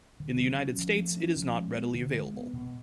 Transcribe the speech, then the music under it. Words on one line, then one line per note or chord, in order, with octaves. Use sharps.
In the United States it is not readily available.
D3
F#3
C#4
F3
A3
C#4
F3
G#3
B3
D3
G#3
B3
B2